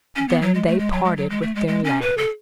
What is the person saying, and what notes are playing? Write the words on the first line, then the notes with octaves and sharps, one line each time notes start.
Then they parted with their land.
C#4
B3
F#3
G#3
A3
G#3
F#3
G#3
F#3
G#3
A3
G#3
G#3
C#4
B4
A4